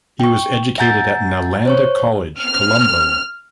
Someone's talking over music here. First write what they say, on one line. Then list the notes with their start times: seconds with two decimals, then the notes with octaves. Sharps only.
He was educated at Nalanda College Colombo.
0.20 G5 C#6
0.78 E5 F#5 G#5 A#5 G6 A6
1.65 C5 C#5 C#6
2.41 F6